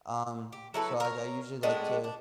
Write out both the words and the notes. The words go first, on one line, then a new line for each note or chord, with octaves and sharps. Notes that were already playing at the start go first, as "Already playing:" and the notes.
Um, so, like, I usually like to,
G4
F#3 E4 A4 B4
A#4 C#5
A2 G#3 B3 D4
D4